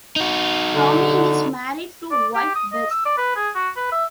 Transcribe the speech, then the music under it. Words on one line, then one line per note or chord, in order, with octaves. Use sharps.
Tommy is married to wife Beth.
D#4 F#4
D3
D5
G4
D#6
D#5
E6
D5
B4
G#4
F#4
B4
E5